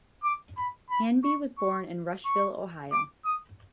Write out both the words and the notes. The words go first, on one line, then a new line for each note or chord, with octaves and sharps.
Hanby was born in Rushville, Ohio.
D6
B5
B5
C#6
C#6
C#6
D6
D#6